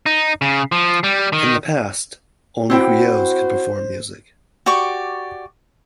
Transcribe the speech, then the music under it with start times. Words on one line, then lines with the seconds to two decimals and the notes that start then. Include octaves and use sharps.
In the past, only "griots" could perform music.
0.06 D#4
0.42 C#3
0.72 F3
1.04 G3
1.33 D#3
2.70 C4 E4 F#4 C5 G5
4.66 F#4 G4 D5 C#6